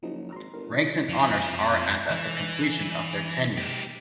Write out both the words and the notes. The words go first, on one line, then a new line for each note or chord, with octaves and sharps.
Ranks and honours are as at the completion of their tenure.
F#1 F3 D#4
G#1 A#5 C6
G1 A#4
D#3
F2 F3
E3
G#3 G4